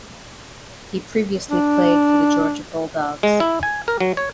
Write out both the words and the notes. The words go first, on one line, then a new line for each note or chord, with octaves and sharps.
He previously played for the Georgia Bulldogs.
D4
G#3
E4
G#5
A#4
F#3
C#5